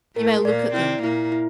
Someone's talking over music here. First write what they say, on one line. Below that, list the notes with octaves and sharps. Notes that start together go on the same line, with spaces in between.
"You may look at them."
A2 A3 A#4
A#2 A#3 D5
C3 C4 E4
A#2 A#3 E4
E4